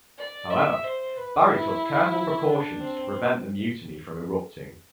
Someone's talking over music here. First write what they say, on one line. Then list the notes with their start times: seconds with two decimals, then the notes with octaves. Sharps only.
However, Barry took careful precautions to prevent the mutiny from erupting.
0.18 D5
0.50 E5
0.84 C5
1.17 B4
1.49 E4
2.48 D4
2.80 C4